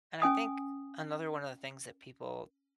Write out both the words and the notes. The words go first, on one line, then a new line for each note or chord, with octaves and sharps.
And I think another one of the things that people
C#4 G#5 D#6